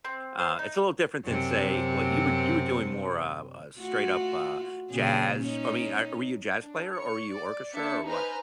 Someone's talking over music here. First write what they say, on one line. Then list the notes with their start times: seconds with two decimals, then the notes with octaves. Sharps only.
Uh, it's a little different than, say well, you were, you were doing more, uh, uh, straight up, uh, jazz. I mean, uh, were you a jazz player, or were you orchestra, or what?
0.05 C4
0.39 C5
0.59 D#4
1.24 F#2 C3 C4
3.79 A3 F4 F#4
4.91 A#2 C#3 G#4
5.39 C#4 D#4
6.60 D4
6.93 C#5 C#7
7.29 D5
7.70 A#3 D4 E5 C#7
8.04 D#4 B4 C5 G#5 A#5 F6